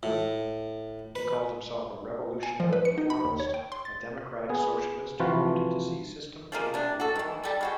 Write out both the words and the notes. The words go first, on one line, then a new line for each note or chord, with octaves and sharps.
He called himself a "revolutionary-reformist", a democratic socialist who wanted to see system-changing reforms.
A2
B4
G#5
F3
B4
C#7
D#4
B5
D#2
C#5
G5
C6
A6
B3 G#4
C3 E3 F3 F4 F#4 B4
F3 G#3 A#3
C3 D4
F#4 A4
D#3 E3
G3 A4
G#3 F#4 G4